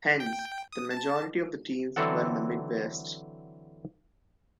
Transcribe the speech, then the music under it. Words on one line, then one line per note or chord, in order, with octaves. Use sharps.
Hence, the majority of the teams were in the Midwest.
G5
D#6
A5
D3 E3 F#3 C4 A4 F#5